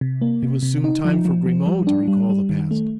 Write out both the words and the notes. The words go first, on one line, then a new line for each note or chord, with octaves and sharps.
It was soon time for Grimaud to recall the past.
C3
A#3
C3
C3
D#4
F3
F3
F3
G3
D4
G3
G3
D#3
A3